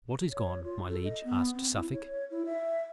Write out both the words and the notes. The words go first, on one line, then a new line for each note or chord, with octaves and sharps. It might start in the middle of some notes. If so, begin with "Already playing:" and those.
"What is gone, my liege?" asked Suffolk.
C#5
F4
A4
D#5
B3
C4
E4
C#5
E4
E5